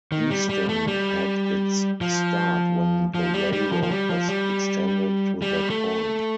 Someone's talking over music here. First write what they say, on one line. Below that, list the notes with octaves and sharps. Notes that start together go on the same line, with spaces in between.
Easton had its start when the railroad was extended to that point.
D#3
G3
G3
A3
G3
F3
F3
G3
G3
F3
F3
G3
F3
G3
G3
A3